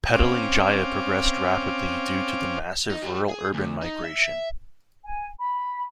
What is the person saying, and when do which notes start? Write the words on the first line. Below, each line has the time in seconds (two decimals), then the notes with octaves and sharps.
Petaling Jaya progressed rapidly due to the massive rural-urban migration.
0.15 C4 C#4 F5 D6
2.90 D#4
3.02 F#3 G3
3.29 G#4
3.54 D2
3.82 D#4
4.04 E5
5.04 G#5
5.39 B5